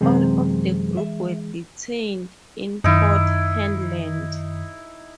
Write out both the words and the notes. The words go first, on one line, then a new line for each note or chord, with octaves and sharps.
All of the group were detained in Port Hedland.
F#2 C3 E3 G#3 C4 G#4
E5
F#2 D#3 D#4 E4